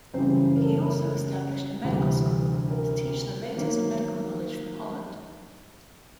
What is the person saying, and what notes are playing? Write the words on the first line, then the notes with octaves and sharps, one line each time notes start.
He also established a medical school to teach the latest medical knowledge from Holland.
F#2 C#3 E3 G3 C4 C5
A#4
A4
A#4
D2 C3 E3 G3
A#4
D#3 F#3 A#3